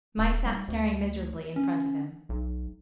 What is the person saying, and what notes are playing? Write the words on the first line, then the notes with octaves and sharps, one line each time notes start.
Mike sat staring miserably in front of him.
D#1
G3
D2
C#4
B1